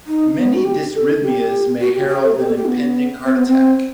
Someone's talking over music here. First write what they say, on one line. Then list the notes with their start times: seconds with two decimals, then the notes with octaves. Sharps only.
Many dysrhythmias may herald an impending heart attack.
0.07 D#4
0.37 B3
0.54 F#4
0.65 G4
0.94 A4
1.23 G4
1.80 F#4
1.95 G4
2.08 G4
2.23 A4
2.38 G4
2.46 A4
2.57 G4
2.66 B3
3.24 C4
3.36 B3
3.47 C4